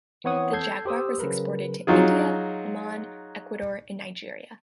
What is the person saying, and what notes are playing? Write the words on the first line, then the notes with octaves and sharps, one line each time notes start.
The Jaguar was exported to India, Oman, Ecuador and Nigeria.
E3 B3 C4 C#5 F#5 D#6
A4 G6 G#6 C7
G4 C5 D#6 E6
C#3 F#3 A#4 B4
F#3 D#4 F4 G#4